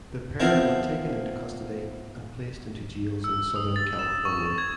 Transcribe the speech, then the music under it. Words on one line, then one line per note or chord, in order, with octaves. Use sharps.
The pair were taken into custody and placed into jails in Southern California.
F3 B3 C4 E4 A#4 C5
E6
D#6
A6
E7
C#6
G#6